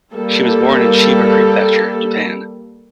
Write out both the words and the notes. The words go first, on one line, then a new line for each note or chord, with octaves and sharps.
She was born in Chiba Prefecture, Japan.
G3 A#3 A4